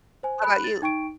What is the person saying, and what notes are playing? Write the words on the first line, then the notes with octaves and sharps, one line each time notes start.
How 'bout you?
C5 G#5
B5 F#6
A6
D#4 G5 C#6 D7